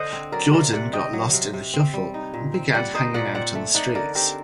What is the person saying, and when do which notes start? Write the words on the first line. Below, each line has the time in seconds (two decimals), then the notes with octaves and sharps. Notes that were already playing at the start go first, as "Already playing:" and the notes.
Jordan got "lost in the shuffle"and began hanging out on the streets.
Already playing: D3 C5 D#5 F#5
0.13 C4
0.32 F#3 A#4 D5
0.53 C3 A#4 D5
0.73 C3 D5 F#5
0.93 C4 D#5 G5
1.13 F#3
1.33 C3
1.53 C3
1.74 C4
1.94 G3
2.14 D#4
2.34 A#2
2.54 C4
2.74 G3 D5 F#5
2.94 D#4 C5 D#5
3.14 A#2 D5 F#5
3.35 C4 D5 F#5
3.55 A3
3.75 D#4 D5 F#5
3.95 D3 A#4 D5
4.15 C4 G4 A#4